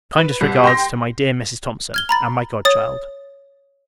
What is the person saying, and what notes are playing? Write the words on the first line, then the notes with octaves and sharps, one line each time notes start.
Kindest regards to my dear Mrs. Thomson, and my God Child.
B4
C2
G5 C6 A#6
F6 G#6 G7
A#5 B5 A6
C#5 D#6 A6